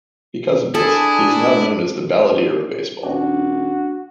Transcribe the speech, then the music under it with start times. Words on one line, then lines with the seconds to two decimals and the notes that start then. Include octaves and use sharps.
Because of this, he is now known as "The Balladeer of Baseball".
0.75 D4 E4 G#4 A4
3.03 D#1 D4 F#4